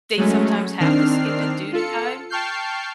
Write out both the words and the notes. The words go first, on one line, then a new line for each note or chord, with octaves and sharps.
they sometimes have to skip it due to time.
F#3 G#3 A3 C#4
D#3 C4 D4 F6 C7
F4 A4 C#7
G5 A5 C#6 F6 G6 C7